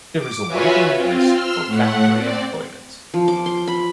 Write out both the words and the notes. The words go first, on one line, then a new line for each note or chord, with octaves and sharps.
There is a waiting list for factory employment.
D6
F4 F#4 B4 C#5 E5 G#5
C4 F4
C6 E6 F6
A2 A3 F#5
C4 D5
F3
D6
C6
B5